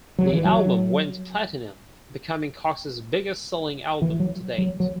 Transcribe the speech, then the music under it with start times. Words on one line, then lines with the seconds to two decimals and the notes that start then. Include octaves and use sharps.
The album went platinum, becoming Cox's biggest-selling album to date.
0.19 F#3
0.32 E3
0.45 F#3
4.02 E3
4.20 F#3
4.58 F#3
4.80 F#3